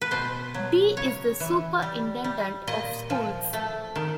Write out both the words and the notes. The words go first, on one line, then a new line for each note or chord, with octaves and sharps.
D is the Superintendent of Schools.
B4
B2 C5
F#3
C#3 C#5
E3
G3
G3
A#2 D#5
F3
A3
D#3